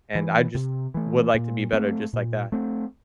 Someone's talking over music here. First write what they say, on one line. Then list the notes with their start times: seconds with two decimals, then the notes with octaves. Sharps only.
and I just would like to be better just like that.
0.15 E3 A3
0.54 C3
0.94 E3 A3
1.34 A#2
1.73 A3 C4
2.13 A#2
2.52 A3 C4